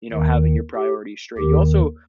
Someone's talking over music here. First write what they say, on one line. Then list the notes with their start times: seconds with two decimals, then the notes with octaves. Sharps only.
you know, having your priorities straight. You also
0.12 D#2 D#3
0.75 G4
1.38 D#2 D#3 G4